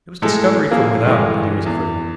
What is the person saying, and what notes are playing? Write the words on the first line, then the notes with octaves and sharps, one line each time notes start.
It was discovery from without that he was afraid of.
A2 G#3 A4
F3 A#3 E4 G#4
G2 D3 E3 G#3
E2